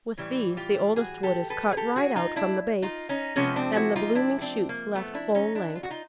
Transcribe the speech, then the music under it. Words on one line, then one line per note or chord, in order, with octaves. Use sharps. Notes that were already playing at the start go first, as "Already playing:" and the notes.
With these the oldest wood is cut right out from the base, and the blooming shoots left full length.
A2 E3 G3
F4 G4
F#4 G#4
G4 A4
A4 B4
G#4
G4 A4
F#4 G#4
D#4 F4
D4 E4
D#4 F4
C#4 D#4
C3 F3 G#3 B3 C#4
C4 D4
E4 F#4
D#4 F4
D4 E4
C4 D4
A#3
A3 B3
D4 E4
C#4 D#4
D4 E4
F4
F#4
D#4 F4